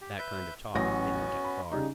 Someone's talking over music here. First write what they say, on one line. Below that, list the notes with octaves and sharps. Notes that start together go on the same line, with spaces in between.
That kind of talk didn't get far.
G4
B4 E5 G6
A1 F#3 B3 C#4 F#4 A#6
B5
C#3 G3 D#4